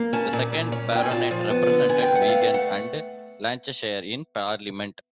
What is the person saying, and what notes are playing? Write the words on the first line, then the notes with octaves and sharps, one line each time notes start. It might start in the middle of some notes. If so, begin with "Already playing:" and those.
The second Baronet represented Wigan and Lancashire in Parliament.
Already playing: A#3
C#4 A5
A#2
A#2
C#4
A#2 G5
G#5
A#2 A5
F3
B3
D3
B3 G#5
G5
B3
F#5
E5
A3 F5
F#5
A3
F#5